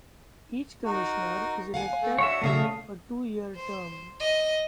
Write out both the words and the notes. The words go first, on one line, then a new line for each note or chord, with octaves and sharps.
Each Commissioner is elected to a two-year term.
D#4 F#4 A#4
F5 F#5 G#5
A3
D4 F#4 C#5 E5
A#2 C#3 A3 E5 F5 D#6
C5
D#5